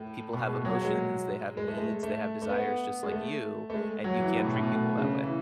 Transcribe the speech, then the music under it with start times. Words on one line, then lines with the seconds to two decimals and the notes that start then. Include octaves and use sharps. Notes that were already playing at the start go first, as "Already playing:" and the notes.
people have emotions, they have needs, they have desires just like you, and you can't treat people that way."
Already playing: A2
0.33 B2
0.48 G#3
0.65 F#3
0.75 F#3
0.85 G#3
1.57 G#3
1.68 A3
1.77 G#3
2.03 A3
2.42 A3
2.49 B3
3.03 G#3
3.11 A3
3.70 A3
3.74 G#3
4.04 F#3
4.20 E3
4.36 A2
4.44 B2
4.54 A2
4.62 B2
4.72 A2
4.98 C#3
5.23 E3